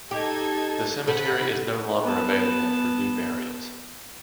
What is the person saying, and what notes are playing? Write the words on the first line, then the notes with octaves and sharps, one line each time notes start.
The cemetery is no longer available for new burials.
D#4 G4 A4 G#6
C3 A4 F#5 B5
B3 A5